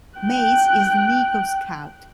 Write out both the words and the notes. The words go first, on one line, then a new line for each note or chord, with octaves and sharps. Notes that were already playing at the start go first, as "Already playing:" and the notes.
Mays is an Eagle Scout.
G5 F#6